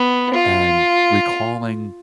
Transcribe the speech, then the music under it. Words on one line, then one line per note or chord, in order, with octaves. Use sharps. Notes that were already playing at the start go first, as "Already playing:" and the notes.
and recalling
Already playing: B3
F4